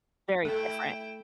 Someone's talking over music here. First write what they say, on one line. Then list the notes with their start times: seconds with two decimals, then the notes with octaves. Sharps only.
Very different.
0.45 A3 E4 A4 G5